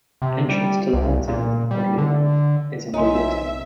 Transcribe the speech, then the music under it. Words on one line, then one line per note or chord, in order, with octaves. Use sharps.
Entrance to the mountain, oddly enough, is under water.
C3
G3
C2
A#2
G3
D3
B1 C3 D#4 C#5 E5 G#5 C6